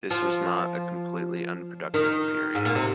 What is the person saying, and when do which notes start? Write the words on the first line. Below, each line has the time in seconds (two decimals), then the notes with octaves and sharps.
This was not a completely unproductive period.
0.10 F3
1.94 D#3
2.55 G#2
2.65 A#2
2.75 C3